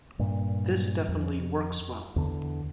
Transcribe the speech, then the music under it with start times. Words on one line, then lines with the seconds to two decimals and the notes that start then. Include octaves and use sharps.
This definitely works well.
0.19 G2 A#2
1.08 F2
2.16 E2 D3